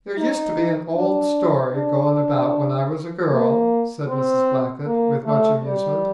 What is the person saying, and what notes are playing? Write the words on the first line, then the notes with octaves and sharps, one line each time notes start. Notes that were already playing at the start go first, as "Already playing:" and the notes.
"There used to be an old story goin' about when I was a girl," said Mrs. Blackett, with much amusement.
D#4
D4
D4
A#3
C4
A#3
A3
G3